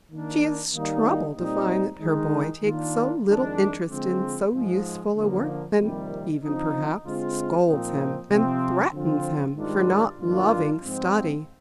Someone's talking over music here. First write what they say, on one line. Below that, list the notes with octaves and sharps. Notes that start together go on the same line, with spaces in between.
She is troubled to find that her boy takes so little interest in so useful a work, and even, perhaps, scolds him, and threatens him for not loving study.
D#3 A#3 D4
D#3 G3 A#3 D#4
A#2 G3 C4 D#4
D#3 G#3 D#4
D#3 A#3 D4 F4
F2 D#3 G#3 D4
D3 F3 G#3 C4
G#2 F3 G#3
D3 F3 A#3
F2 C3 D#3 G3 A#3
D3 F3 C4 D#4
D3 G#3 C4 F4
A#2 F3 C4 D#4
C3 F3 C4
D3 F3 C4 F4
G#2 D#3 G3 D4 F4
G2 D#3 A#3 D4 F4
G#2 F3 C4